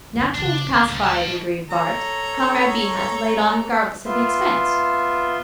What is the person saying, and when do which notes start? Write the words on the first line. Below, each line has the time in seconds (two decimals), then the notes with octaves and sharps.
Naturally, to pacify the aggrieved bart., Comrade B. had to lay it on regardless of expense.
0.12 F2 C#3
0.34 C#3 F#3 D4
0.70 D2
0.88 C2
1.04 D#5 A5
1.70 A4 C#5 A#5
4.06 B3 F4 E5 C6